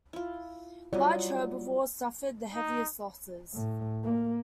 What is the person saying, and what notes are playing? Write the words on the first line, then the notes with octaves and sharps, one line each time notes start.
Large herbivores suffered the heaviest losses.
E4 F4
F#3 G3 E4 F4 D5 D#5
D#4
A2
A#3